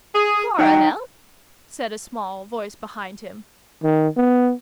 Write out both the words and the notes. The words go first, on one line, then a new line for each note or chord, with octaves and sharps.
"Coronel!" said a small voice behind him.
G#4
F#3 D#4 G5
D#3
B3